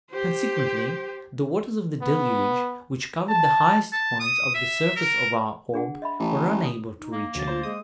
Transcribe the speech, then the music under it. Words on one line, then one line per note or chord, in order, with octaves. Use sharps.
Consequently, the waters of the Deluge, which covered the highest points of the surface of our orb, were unable to reach it.
G4 C5
B3
A5
A5
D#6
E5
A#4
D4 G#4 F#5
D#5 E5 B5
A1
D#6
D#4
A#3
D2 F#3 A6
F4 C5
G#3 D#6